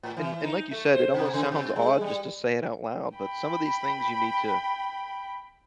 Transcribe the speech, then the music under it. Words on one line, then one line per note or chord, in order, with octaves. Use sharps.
And and like you said, it almost sounds odd just to say it out loud, but some of these things you need to
A2
E3
D#4
A3
C5
C3
C#3
B2
G#3
G3
G5 B5